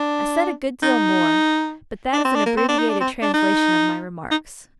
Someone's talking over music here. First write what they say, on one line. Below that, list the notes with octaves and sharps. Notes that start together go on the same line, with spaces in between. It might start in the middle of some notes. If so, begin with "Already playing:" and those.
I said a good deal more, but that is an abbreviated translation of my remarks.
Already playing: D4
D#4
D4
C4
D4
A#3
C4
D4
D#4
D4
C4
D4
D#4
D#4